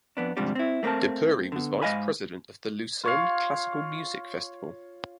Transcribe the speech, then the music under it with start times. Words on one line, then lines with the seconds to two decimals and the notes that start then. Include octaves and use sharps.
De Pury was Vice President of the Lucerne Classical Music Festival.
0.17 F2 B3 D4
0.37 D#2 G#2 C3 F3 G3 D4
0.55 C4 E4
0.83 A3 A#3 C4 A#4 A5
1.52 D3 B3
1.82 G#2 D#5 F5 G#5 B5
3.04 F4 C#5 F5